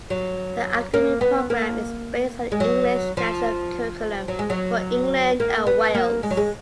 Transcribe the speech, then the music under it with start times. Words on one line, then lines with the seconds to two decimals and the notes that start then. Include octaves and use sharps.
The academic programme is based on the English National Curriculum for England and Wales.
0.10 F#3
0.94 A#3
1.21 B3
1.50 A#3
2.52 G#3
2.60 F#3
3.17 F3
4.28 F#3
4.39 G#3
4.50 F#3
5.40 A#3
5.67 B3
5.94 A#3
6.23 G#3
6.31 F#3
6.37 G#3